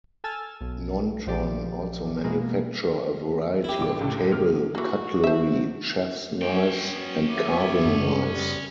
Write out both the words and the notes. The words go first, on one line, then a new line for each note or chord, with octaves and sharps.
Nontron also manufacture a variety of table cutlery, chefs knives, and carving knives.
A4 G#5 A5 E6 F6 A6
B1
A#1 F3 G4 D5
B2 G#3 A#3 B3
E4 G4
A#1 D6
C#2 A2 C#3
F6
E3 A#3 F#4
C5 E5
C#4 G5
F#3 B3
B3 E4 D6
F#2 D3
G3 G#3 B3